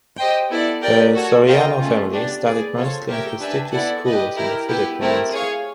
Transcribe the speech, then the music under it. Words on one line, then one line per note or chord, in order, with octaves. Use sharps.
The Soriano family studied mostly in prestigious schools in the Philippines.
G4 C5 D#5 G5
B3 E4 A4 D5
G4 A#4 D5 G5
F#4 A4 C#5
F4 A#4 D#5 G5
A3 C#4 F4
B3 D4 G4
G#4 B4 D5
C4 F4 A4 C#5
G4 A#4 C#5 E5 G5
D4 G4 B4 E5 G#5
B3 E4 A4 D5 F#5
G4 B4 D#5
E4 G4 A#4
B3 E4 G4 B4
A3 C4 E4 G4 A#4
G#4 C#5 F5